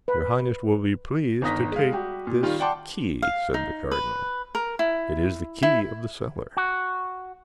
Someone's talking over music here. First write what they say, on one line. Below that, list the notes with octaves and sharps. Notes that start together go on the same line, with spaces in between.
"Your highness will be pleased to take this key," said the cardinal; "it is the key of the cellar."
B4
G1 D#3 A#5 D#6 A#6 B6
G#3 F5
G3 F#4 G4
A#2
D#3 G3 F4
D5 F#5 G5 A5 C6 D6
F5
D#4
B4
A#4
E4
E4
F#4